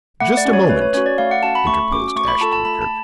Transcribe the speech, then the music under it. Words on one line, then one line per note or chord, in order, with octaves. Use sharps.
"Just a moment," interposed Ashton-Kirk.
A3 F#5
D5
C#4 F#4
C#5
A3 B4
C#5
C#4 F#4 C#5
D5
A3 F5
F#5
C#4 F#4 A5
B5
A3 C#6
C#4 F#4 D6
D6
A3 C#6
B5
F4 A4 A5
A5
A3 B5
A5